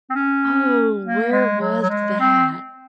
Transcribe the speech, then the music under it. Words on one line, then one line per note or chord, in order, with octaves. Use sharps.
Oh, where was that?
C4
C#4
A#3
G#3
F#3
F#3
G#3
C4